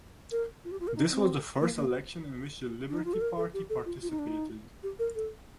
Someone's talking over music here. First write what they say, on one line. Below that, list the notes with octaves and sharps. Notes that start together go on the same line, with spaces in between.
This was the first election in which the Liberty Party participated.
A#4
F4
G4
F4
A#4
D#4
C4
A#3
A#3
D4
D#4
F4
A4
A#4
A4
G4
A4
F4
F4
D#4
D4
D#4
G4
A#4
A4